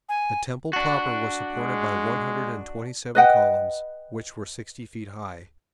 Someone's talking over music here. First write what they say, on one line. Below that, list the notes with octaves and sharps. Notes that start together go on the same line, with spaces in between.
The temple proper was supported by one hundred and twenty-seven columns which were sixty feet high.
G#5
D4 F#4
G#3
B4 D#5 F#5 G5